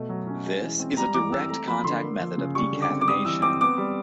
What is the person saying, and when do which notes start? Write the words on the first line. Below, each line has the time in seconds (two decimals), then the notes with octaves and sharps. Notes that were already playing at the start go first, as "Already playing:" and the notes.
This is a direct-contact method of decaffeination.
Already playing: B2 A3
0.09 F#3
0.27 C#4
0.45 G#3
0.62 E3
0.80 C4
0.97 G3 A#5
1.14 E3 D6
1.32 C4 E6
1.49 A3 A#5
1.68 F3 B5
1.84 D3 C6
2.03 A#3
2.20 F3
2.38 C#3
2.55 G3 C#6
2.72 D3
2.82 D6
2.90 C4
3.01 D6
3.08 G3 D#6
3.25 E3 E6
3.42 C4 D6
3.61 B3 D6
3.78 G3